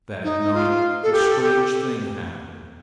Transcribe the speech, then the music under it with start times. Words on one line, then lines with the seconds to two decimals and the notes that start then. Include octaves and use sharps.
That night a strange thing happened.
0.24 D#4
0.54 F4
1.03 A4
1.13 G4
1.27 A4
1.42 G4